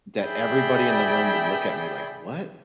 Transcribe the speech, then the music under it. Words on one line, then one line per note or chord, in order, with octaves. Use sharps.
that everybody in the room would look at me like, "What?"
G#4 D5 E5 G5 B5 G6